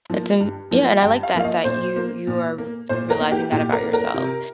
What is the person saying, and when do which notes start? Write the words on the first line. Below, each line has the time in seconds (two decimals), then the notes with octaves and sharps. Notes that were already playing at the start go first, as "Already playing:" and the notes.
That's an Yeah and I like that that you you are re realizing that about yourself.
0.10 F3 A#3
0.40 G2
0.71 F3 A#3
1.02 G2 G5
1.23 F5
1.34 F3 A#3 F5
1.44 D#5
1.65 A#2 C5
1.96 A#3
2.27 A#2
2.58 A#3
2.89 A#2 C5
3.10 A#4
3.20 A#3
3.31 G4
3.52 A#2 G4
3.73 A#4
3.82 A#3
3.93 A#4
4.14 C3